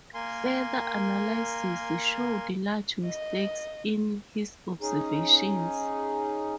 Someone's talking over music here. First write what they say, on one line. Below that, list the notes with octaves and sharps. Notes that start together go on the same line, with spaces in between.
Further analysis showed large mistakes in his observations.
A#3 A#4 G#5 C6
D#5
C#4 D#4 G#4